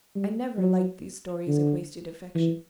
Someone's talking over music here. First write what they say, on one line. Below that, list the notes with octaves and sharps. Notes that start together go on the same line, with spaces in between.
I never liked these stories of wasted affection.
G3
F#3
D3
E3